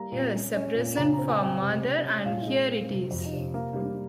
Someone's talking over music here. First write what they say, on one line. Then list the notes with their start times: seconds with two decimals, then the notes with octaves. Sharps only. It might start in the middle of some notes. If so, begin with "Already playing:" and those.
Yes; a present for mother, and here it is!
Already playing: G3 A#3 A#5
0.12 A#2
0.33 C#4
0.54 C#4
0.75 A#2
0.97 C#3 A#5
1.14 A#5
1.18 C4
1.29 G#5
1.40 C4 G5
1.62 C3
1.82 C#4
2.05 C#4
2.25 A#2 F5
2.47 G#3
2.68 C4
2.90 C3
3.11 F2
3.32 C3
3.54 A#3
3.76 G3